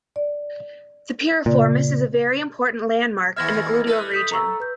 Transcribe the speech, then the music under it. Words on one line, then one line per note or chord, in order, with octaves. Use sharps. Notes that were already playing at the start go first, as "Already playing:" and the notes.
The piriformis is a very important landmark in the gluteal region.
D5
A#2 C#3 D5
D#2 B3 E5 F6 G#6 A#6
A3 A4 B4
D#6 G6 B6
A#5 C#6 E6
B4 G6